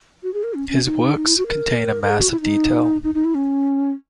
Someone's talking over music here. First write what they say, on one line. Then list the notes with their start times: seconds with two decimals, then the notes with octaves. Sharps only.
His works contain a mass of detail.
0.23 F#4
0.34 G#4
0.43 A#4
0.54 C#4
0.69 C#4
0.85 D#4
1.16 D#4
1.27 E4
1.38 F#4
1.47 A#4
2.03 A#4
2.10 G#4
2.20 F#4
2.31 E4
2.41 D#4
3.04 D#4
3.14 D#4
3.25 E4
3.35 C#4